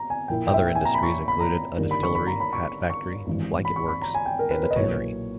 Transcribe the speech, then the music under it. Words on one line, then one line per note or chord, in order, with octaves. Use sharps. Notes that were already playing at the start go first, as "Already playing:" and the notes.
Other industries included a distillery, hat factory, blanket works, and a tannery.
Already playing: A#5
G#5
A#1 A#2 A#3 E4 G5
G5
E5
G5
G#5
A#5
B5
C#6
B5
A#5
G1 G2 D#3 A#3
B5
C#6
B5
A#5
B5
C#6
C#6
G#1 G2 E3
B5
C#6
B5
A#5
G#5
G5
A#4
B4
B4
D#5
B1 A#2 A#3 E4 C#5